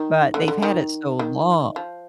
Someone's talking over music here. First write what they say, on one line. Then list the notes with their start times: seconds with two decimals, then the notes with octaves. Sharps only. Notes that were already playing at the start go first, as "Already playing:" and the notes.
but they've had it so long.
Already playing: D#3
0.34 D3
0.48 D3
0.62 D#3
1.19 D#3
1.76 F3